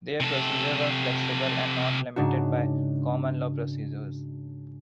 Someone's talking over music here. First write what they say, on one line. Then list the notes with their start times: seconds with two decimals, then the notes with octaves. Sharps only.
Their procedures were flexible and not limited by common law procedures.
0.20 C3 A4
2.16 G#2 C#3 D4 F#4